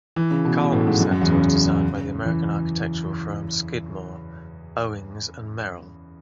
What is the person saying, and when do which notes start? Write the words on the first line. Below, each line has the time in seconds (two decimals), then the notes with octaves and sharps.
The Carlton Centre was designed by the American architectural firm Skidmore, Owings and Merrill.
0.16 E3
0.31 C#3
0.45 B2
0.59 B2
0.72 A2
0.87 G#2
1.00 F#2
1.11 F#2
1.21 E2
1.32 C#3
2.25 E3